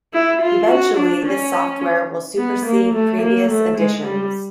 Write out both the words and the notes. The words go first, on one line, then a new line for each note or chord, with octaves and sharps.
Eventually this software will supersede previous editions.
E4
F4
F#4
D4
C#4
B3
A#3
A3
A#3
A3
G#3
G3